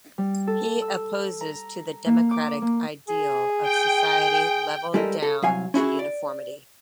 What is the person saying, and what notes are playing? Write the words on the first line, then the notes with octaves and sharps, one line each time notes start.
He opposes to the democratic ideal of society levelled down to uniformity.
G3
A4
E6
A#5
A#3
D6
A#3
G#4
G5
G3 G#3 E4 A4 A#4 D#5
A4
C2 F#3 F5 G#5
C#4 E4 F#4 G#4
D5